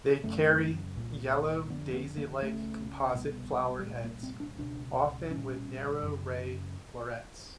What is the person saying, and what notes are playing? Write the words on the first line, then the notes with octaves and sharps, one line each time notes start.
They carry yellow daisy-like composite flowerheads often with narrow ray-florets.
F#2 C#3 A3
C2 A#2
F2 D3 B3
B3
A#3
C#2 C#3 A3
C2 B2
G3
C2 A#2 G#3
A#3
C4
D4
C#2 B2 D4
C2 C#4
A#2
F#2 C#3